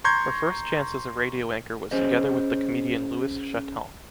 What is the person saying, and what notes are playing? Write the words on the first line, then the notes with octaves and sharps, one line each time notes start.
Her first chance as a radio anchor was together with the comedian Luis Chataing.
A#5 C6 C#6 G6 G#6
C#4 G#4 C5 D#5